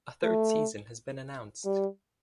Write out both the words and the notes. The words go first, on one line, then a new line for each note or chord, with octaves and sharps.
A third season has been announced.
A3
G3